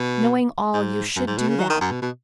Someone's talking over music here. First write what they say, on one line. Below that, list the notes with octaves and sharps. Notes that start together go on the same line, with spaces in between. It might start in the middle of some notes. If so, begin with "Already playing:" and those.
Knowing all, you should do that.
Already playing: B2
G#2
F#2
G#2
B2
C#3
F#3
D#3
F#2
B2
B2